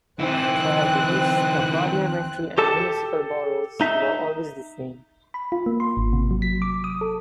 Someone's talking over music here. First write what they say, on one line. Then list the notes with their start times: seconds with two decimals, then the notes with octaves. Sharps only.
Prior to this, the Parliamentary and Municipal Boroughs were always the same.
0.20 D#3 C4 E4 F#6
2.58 G4 A4 A5
3.81 D#4 E5
5.34 B5
5.52 F4
5.66 A#3
5.80 C6
5.97 G#1
6.13 C3
6.31 F#3
6.42 B6
6.62 D6
6.84 D#6
7.01 A4